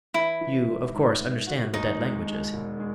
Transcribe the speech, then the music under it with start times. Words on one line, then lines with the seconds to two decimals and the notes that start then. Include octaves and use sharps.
"You, of course, understand the dead languages?"
0.14 E3 E4
0.41 E3
0.67 G#2
0.94 G#2
1.21 B3
1.47 F#4
1.73 D#2 D#4
2.00 G#3
2.26 G#3
2.53 E1
2.80 G#3